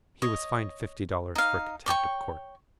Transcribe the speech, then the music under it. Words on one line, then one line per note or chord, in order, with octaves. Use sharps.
He was fined fifty dollars for contempt of court.
C#5 D#5
D#4 F5
C#5 D5 G5 C#6